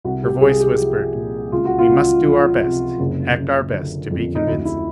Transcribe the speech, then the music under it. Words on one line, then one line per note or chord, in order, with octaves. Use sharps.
Her voice whispered, "We must do our best, act our best to be convincing."
C2 F#4
G4
C2 G#4
G4
F3
A#2
C#2 F4
F#4
F4
C#2
F3
C3
F#1
F#1
D3
F2
D#4
D2 E4
E4